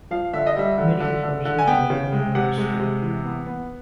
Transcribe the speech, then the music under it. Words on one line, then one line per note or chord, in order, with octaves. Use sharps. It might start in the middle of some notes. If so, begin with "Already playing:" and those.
Medical personnel were allowed to stay.
F3 F5
D3 E5
D#5
G3 E5
D3
D3
D3
D3
G#5
B3 G5
C#3
G#3
C3 F#5
G#3
C3
E3
B3
B3